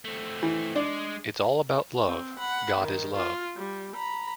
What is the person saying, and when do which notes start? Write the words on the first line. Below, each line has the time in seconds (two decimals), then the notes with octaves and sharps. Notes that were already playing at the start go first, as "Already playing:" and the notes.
It's all about love - God is love.
0.05 A3 C4
0.43 E3
0.76 G#3 D4
2.06 C4
2.39 F#5 B5
2.80 D#3
3.16 F4
3.56 G3
3.95 A#5 B5